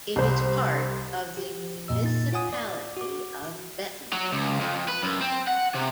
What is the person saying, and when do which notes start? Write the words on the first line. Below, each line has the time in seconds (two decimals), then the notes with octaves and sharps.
It is part of the municipality of Bettingen.
0.16 C2 C5
1.37 G4
1.88 F2 A#2 D#5 E6
2.02 A#2 D#4 A6
2.33 F4 C#5 F#5 G#5 D#6
2.53 D5
2.97 F#4 D6
4.13 F#3
4.32 C#2
4.60 F2
4.88 B4
5.03 F#2
5.21 C4
5.47 F#5
5.74 C3